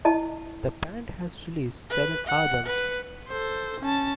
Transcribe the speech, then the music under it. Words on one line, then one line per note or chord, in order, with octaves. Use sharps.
The band has released seven albums.
E4 D#5 A5
B4
F#5
B4
A4 C5
C#4 A5